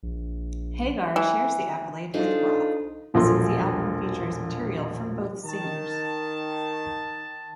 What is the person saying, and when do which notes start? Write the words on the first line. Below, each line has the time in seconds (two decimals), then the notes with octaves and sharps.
Hagar shares the accolade with Roth, since the album features material from both singers.
0.03 A#1
1.16 E3
2.14 D4 D#4 F4 G#4 A4 C5
3.14 E1 A#1 F3 F#3 A4 C6
5.45 D#3 A5